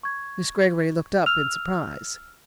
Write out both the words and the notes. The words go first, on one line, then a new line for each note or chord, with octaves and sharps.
Miss Greggory looked up in surprise.
C#6 G#6
E6 F6 F7